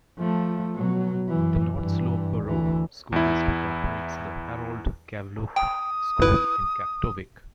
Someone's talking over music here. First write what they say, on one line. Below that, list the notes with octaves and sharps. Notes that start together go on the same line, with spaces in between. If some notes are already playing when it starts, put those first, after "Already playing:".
The North Slope Borough School District operates the Harold Kaveolook School in Kaktovik.
F3 A3
B2 F#3
F#2 E3
G2 E3
D2 E3
E2 E4
G5 D#6
E4 B4